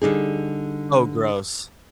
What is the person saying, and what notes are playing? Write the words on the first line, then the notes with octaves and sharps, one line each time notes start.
Oh, gross.
D3 G3 D#4 G#4